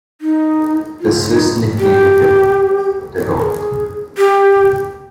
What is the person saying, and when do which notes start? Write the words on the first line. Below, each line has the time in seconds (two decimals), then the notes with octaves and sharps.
The Swiss nicknamed him The Rock.
0.21 D#4
1.00 F4
1.27 D#4
1.79 G4
3.38 A#4
3.43 G#4
4.18 G4